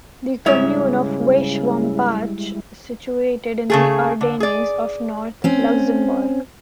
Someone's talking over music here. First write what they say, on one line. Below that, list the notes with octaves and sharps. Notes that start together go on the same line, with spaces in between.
The commune of Weiswampach is situated in the Ardennes of north Luxembourg.
G#2 C#3 G3 G#3 E4 C#5 E5
C#3 A3 G#4
D3
G#4 D5
C4 C#4